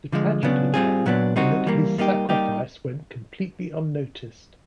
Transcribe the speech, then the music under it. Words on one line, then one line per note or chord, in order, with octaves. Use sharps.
The tragedy lay in that his sacrifice went completely unnoticed.
D3 F3 G#3
C#3 F#3 B3 D4
G3 C4 F4 G#4
A#2 F#3 B3 D4
G3 C4 D#4 F#4
E3 G3 A#3
G3 A#3 D#4 G4
G3 A#3 D#4 G4